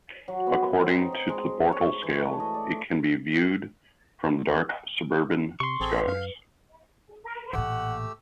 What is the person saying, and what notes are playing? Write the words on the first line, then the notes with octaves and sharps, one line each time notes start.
According to the Bortle scale, it can be viewed from dark suburban skies.
F#3
B3
C4
D#4
D#5
G#3
C#5
E3
A3
D#5
D5
C3 C6 C#6
A1 C4 G#4 A4
B4
F#2 F5
A1 A#2 A3 G4 F#5 E6